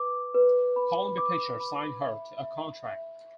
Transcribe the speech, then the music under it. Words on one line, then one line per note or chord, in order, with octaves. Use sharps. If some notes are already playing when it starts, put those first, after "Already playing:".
Columbia Pictures signed her to a contract.
Already playing: B4 D6
B4
B5
D6
B5
E5
E5
E5